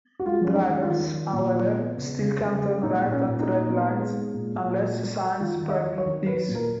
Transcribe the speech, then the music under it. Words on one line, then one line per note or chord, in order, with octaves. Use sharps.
Drivers, however, still can turn right at red lights, unless signs prohibit this.
F#4
G#3 F4
G#3 C#4
D#4
D#3
F4
D#3
F3
A#2
F3
B3
C#3
C#3
C#3
G#3
A#2 D#4
A#2
C#4
A#2
D#4
A#2
B3
G#3
G#3
A#2
A#2
F#3
F#3
F#3
D#3 F4
D#3
D#5
F#3
C#5
D#3
F#3 B4
A#2
A#4